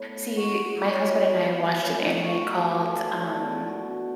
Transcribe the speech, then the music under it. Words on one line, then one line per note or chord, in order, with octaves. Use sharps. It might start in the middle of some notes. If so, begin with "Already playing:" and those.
See, my husband and I watched an anime called, um,
Already playing: A2 B3
F#4
F#3
B3
A2
F#4
A3
D4
B2